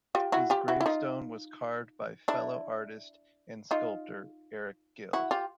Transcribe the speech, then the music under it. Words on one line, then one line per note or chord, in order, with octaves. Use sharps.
His gravestone was carved by fellow artist and sculptor Eric Gill.
F4 G4
E4 F#4
F4 G4
E4 F#4
E4
D#4 F4
D4 E4
D#4 F4
E4 F#4
F4 G4